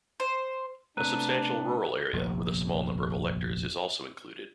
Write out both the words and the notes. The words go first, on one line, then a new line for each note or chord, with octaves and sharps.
A substantial rural area with a small number of electors is also included.
C5
C3 A3 B3 D4 A#5 F#6 D#7
F1 A#1 D#2